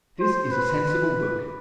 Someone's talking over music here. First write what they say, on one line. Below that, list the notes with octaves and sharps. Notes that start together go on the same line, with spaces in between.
This is a sensible book.
C5
B4